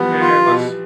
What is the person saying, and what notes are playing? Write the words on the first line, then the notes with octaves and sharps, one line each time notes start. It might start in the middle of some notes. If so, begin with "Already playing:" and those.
And let's
Already playing: E3 F3 G3 B3
F4
B2